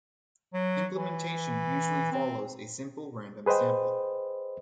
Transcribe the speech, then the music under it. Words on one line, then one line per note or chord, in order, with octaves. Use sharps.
Implementation usually follows a simple random sample.
F#3
E3
C4
G#4 B4 C5 D#5 G5